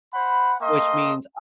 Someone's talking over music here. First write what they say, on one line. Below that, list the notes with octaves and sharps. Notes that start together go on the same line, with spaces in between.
Which means,
C5 F#5 B5
A3 A#3 D#5 G5 C6